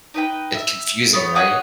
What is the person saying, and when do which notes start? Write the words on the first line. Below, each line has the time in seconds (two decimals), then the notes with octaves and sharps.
It's confusing, right?
0.14 D#4 B4 G5
0.54 E5
1.13 B3 C#5
1.35 C#5 D#5 F#5 D#6